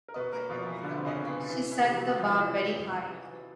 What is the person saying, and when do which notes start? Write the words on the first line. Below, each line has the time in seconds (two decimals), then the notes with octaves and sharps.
She set the bar very high.
0.08 A#4
0.16 B2 B3 B4
0.33 A#3 A#4
0.50 B2 F3 F4
0.66 E3 E4
0.83 B2 D3 D4
0.97 C4
1.05 C#3 C#4
1.16 B2
1.27 B3
1.49 E3 E4
1.71 E3 E4
1.82 C3
1.93 F#3 F#4
2.15 C3 F3 F4
2.30 D#4
2.38 E3 E4